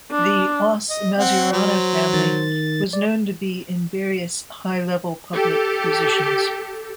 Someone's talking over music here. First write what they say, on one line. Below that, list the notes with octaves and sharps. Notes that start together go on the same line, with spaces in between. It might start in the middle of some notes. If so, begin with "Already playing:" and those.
The Oss Mazzurana Family was known to be in various high-level public positions.
D4
D#5
C4 F#5
F#3 C5
D#3 A6
D5
G4 A4